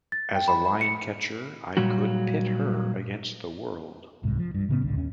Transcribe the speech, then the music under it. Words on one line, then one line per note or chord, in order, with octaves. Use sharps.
As a lion-catcher, I could pit her against the world.
A6
G5
B5
B5
C#7
A#2 F#3 G3 F#4
D1 C2 G#2
F3
G2
A2 C#3 B3
D#1 G#1 C#2 D3
D#2 C#4